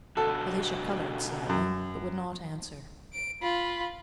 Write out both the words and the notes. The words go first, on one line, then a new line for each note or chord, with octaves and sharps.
Felicia colored slightly, but would not answer.
B2 D3 F#4 A4
F#2
D7
F4 B5